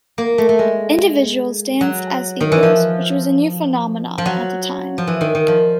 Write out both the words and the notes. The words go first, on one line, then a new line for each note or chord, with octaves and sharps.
Individuals danced as equals, which was a new phenomenon at the time.
A#3
A3
A3
G#3
F#3
D#3
E3
F3
F3
F#3
F3
E3
D#3
D#3
F3